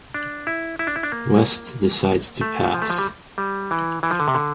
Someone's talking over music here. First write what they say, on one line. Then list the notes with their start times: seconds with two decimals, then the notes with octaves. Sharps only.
West decides to pass.
0.14 D4
0.47 E4
0.79 E4
0.87 D4
0.96 E4
1.03 D4
1.12 A#3
2.41 A3
2.74 F3
2.82 A3
2.90 F3
2.98 G3
3.38 G3
3.71 E3
4.03 E3
4.11 F3
4.20 D3
4.28 C3
4.35 D3